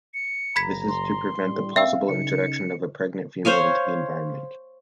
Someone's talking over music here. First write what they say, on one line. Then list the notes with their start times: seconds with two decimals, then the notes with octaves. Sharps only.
This is to prevent the possible introduction of a pregnant female into the environment.
0.14 C#7
0.56 F#1 A#5 B5 G#6 B6
0.88 C6
1.42 A2 D3 G3
1.76 A#1 C4 E5 F5 G5 E6
2.09 C#3 D#4 C#7
3.45 C5 C#5 F5 G#5